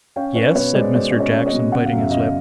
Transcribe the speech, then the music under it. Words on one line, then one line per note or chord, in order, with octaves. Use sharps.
'Yes,' said Mr. Jackson, biting his lip.
C#4 F5 G5
C#4 B4 C#5
B2 B4 C#5
G#3 C5 D5
B2 C5 D5
C#4 D5
C#5 D#5
C#4
C#5 D#5
B2
C#3 F#5
F5
F#2
E5
C#3 D#5 F5